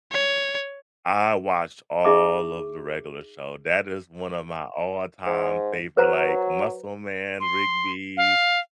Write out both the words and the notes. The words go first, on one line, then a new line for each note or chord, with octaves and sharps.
I watched all of the Regular Show, that is one of my all time favorite, like, Muscle Man, Rigby,
C#5
D#4 G#4 E5 C#6 D6
G#2
F#3 B4 C5 A#5
C6
F5